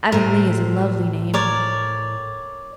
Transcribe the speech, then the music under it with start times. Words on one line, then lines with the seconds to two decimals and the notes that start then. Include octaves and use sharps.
Avonlea is a lovely name.
0.12 A2 A#4 C5
1.34 A#4 C#5 D5